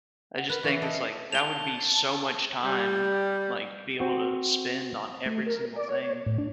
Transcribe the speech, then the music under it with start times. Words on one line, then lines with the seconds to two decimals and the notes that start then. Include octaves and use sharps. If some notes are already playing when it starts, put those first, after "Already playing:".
I just think it's like that would be, so much time, like, to be able to spend on every single thing
0.37 F#5
0.49 A#4 B4
0.63 E3 C#4 E5
0.82 A4 D#5
0.94 F5
1.32 A5 F7 G7
2.64 G3
4.00 C4 F#4
5.26 A3
5.46 A#4
5.76 D5
5.89 C#5
6.26 A2
6.38 D4